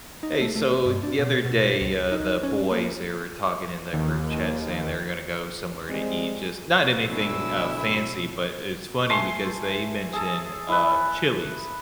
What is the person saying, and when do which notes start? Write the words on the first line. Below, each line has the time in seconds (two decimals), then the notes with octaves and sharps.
Hey, so the other day, uh, the boys, they were talking in the group chat saying they were gonna go somewhere to eat, just not anything, uh, fancy, but it's funny because they mention, uh, Chili's.
0.23 D#4
0.41 A3
0.55 A3
0.86 G2
1.03 D4
1.19 B2
1.45 B2
1.81 C#2
2.12 D#4
2.43 C#4
2.71 A#3
3.93 D#2
5.88 G3 G#3 C4
7.10 D2 B2 F#3 E4 E6
9.10 A3 G#5 C6 C#6
10.13 G#4 A4
10.69 E4 B4